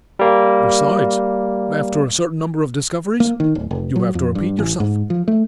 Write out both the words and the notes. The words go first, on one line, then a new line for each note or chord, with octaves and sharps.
Besides, after a certain number of discoveries, you have to repeat yourself.
G3 A#3
A#3
D#3
D1
F1
F#3
F2
G2
A1
G#2
F3
A3